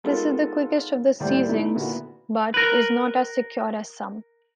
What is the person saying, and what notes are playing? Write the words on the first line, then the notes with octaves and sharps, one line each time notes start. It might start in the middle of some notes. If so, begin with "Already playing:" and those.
This is the quickest of the seizings, but is not as secure as some.
G#3 B3 D#4 F4 A4 A#4
D#2 A2 G3 C5 D5 G5
B2 B3 D#4 E4
A#2 D3 B3 E4 F#4
A#4 B4